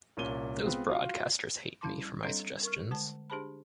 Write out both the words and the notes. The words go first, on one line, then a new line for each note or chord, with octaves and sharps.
Those broadcasters hate me for my suggestions.
C2 A#2 C#4 D#7 G7
G#3 B3 C4 F4
F4 F#4 F5
G3 C#4 E4 A5 C6 D6
G3 C4 D4 A4 C#5 D#5
A#4 C#6 F6
D3 G#3 A5
D4 G4 G#4 C5 A5 B5